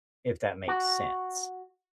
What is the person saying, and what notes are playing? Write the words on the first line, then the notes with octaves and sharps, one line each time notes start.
if that makes sense.
F#4